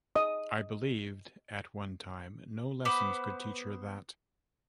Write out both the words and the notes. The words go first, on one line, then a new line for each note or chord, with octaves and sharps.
I believed, at one time, no lessons could teach her that!
D#5 D#6
B3 C5 B5 D6